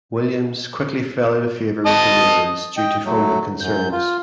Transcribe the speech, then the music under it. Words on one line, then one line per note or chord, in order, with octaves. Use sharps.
Williams quickly fell out of favour with the Ravens due to fumble concerns.
D#5 A5 D#6
D#5 G5
F#3 A3
F#2 G6
F4